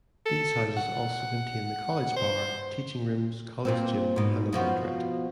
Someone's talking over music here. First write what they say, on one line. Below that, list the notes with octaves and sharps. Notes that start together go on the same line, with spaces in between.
These houses also contain the college bar, teaching rooms, college gym, and a laundrette.
A4
F#5
C5
A#2 F3 C4
G#2 B2
B2 F3 F#4